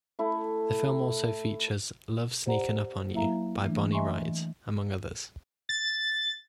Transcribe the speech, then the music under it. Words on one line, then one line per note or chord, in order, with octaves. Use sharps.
The film also features "Love Sneakin' Up On You" by Bonnie Raitt, among others.
A3 E4
G4 C5 D5 F#5 A#5
F#3 A#3 E4 E5 F5 A#5
E3 A3 D4
D#5 E5 G#5 A#5 C6 C#6
E3
A6